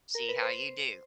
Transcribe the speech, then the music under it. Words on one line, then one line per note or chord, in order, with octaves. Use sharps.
See how you do.
A#4
B4
C5